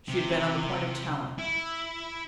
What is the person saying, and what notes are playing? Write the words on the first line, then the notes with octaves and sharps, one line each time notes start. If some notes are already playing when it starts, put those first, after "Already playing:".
She had been on the point of telling.
C3
E4